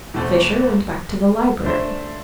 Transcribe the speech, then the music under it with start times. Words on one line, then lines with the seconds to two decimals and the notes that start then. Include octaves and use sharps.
Fisher went back to the library.
0.14 E2 B2 A3 C4
1.64 A3 D4 A4 C5 E5